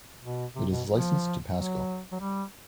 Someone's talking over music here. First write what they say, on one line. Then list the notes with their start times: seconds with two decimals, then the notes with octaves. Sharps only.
It is licensed to Pasco.
0.22 B2
0.55 C3
0.71 B2
0.88 F3
1.54 F#3
2.12 F#3
2.20 G3